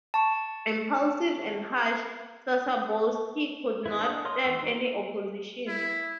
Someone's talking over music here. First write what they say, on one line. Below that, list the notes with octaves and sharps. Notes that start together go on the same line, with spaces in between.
Impulsive and harsh, Sosabowski could not stand any opposition.
A5 C#6
B3 E4
D4 F#5
A#4 C#5 D#5 C6 D#6
E3 F#4 C6 E6
D#4 G4
E4